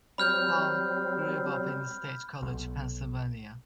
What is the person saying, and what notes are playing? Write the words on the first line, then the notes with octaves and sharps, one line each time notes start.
Kahn grew up in State College, Pennsylvania.
F#3 G3 C4 B5 F6 G6
B1